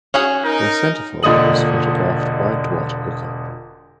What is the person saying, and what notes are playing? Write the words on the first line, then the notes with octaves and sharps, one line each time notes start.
Her centerfold was photographed by Dwight Hooker.
C#4 F#4 G#4
D#4 A#4
E1 A#2 D3 D#5 D#6 F#7